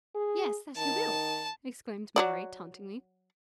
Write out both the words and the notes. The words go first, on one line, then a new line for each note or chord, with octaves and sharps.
"Yes, that he will!" exclaimed Mary, tauntingly.
G#4
D#3 A5
F#3 F#4 D5